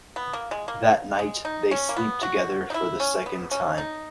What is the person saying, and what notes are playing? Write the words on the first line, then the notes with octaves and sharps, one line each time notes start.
That night they sleep together for the second time.
B3
A#3
G#3
A#3
G#3
D#4
C#4
A#3
B3
F#4
D#4
E4
C#4
B3
C#4
D#4